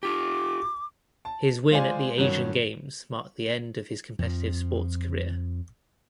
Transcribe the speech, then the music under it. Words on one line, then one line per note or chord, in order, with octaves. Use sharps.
His win at the Asian Games marked the end of his competitive sports career.
F4 G4 D6
A5
G#3 F4 C5 D5 G#5
G2 D#3 F#3 C#4
F2 F3